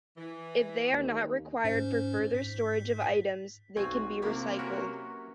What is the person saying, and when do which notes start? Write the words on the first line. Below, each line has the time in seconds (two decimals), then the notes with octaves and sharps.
If they are not required for further storage of items, they can be recycled.
0.17 E3
0.91 D#2
1.64 G#2 C#4 C5
2.34 G#2 B6
3.77 B1 C4 F#4 G#5
4.22 C3 A#3 E4 G4 A#4
4.59 F#3 C#4 F#4 A#4 B4